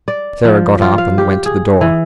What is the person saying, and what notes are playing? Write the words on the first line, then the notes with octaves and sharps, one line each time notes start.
Sarah got up and went to the door.
D5
F3
F4
F5
G4
G#4
E3